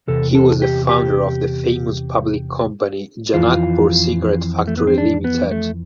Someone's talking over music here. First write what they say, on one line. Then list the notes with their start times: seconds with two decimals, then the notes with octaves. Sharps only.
He was the founder of the famous public company Janakpur Cigarette Factory Limited.
0.08 E2 C3 A4
0.35 A4
0.62 G4
0.89 G4
3.34 F2 E3 F4
4.67 A3
4.77 B3
4.87 C4
4.98 D4
5.24 B3
5.51 A3